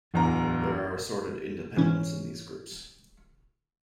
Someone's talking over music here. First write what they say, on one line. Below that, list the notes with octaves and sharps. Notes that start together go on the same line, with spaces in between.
There are assorted independents in these groups.
D1 E2 A#5
G#2 E3 C#4